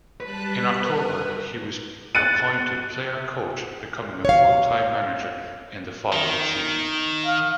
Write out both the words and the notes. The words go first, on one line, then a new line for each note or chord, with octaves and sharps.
In October he was appointed player-coach, becoming a full-time manager in the following season.
G3 B4 A5 F#6
A#4
F#6 A6 C#7 D#7
C#5 F5
D#3
F5